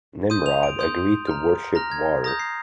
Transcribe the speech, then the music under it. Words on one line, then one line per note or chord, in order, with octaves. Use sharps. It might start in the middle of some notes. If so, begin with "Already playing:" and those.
Nimrod agreed to worship water.
C6 D#6 G6 D#7
F7
D7
C6 D#6 G6
A#5 F6
A#5 F6 A#6
G#6
A#5 D#6 G6 A#6
C7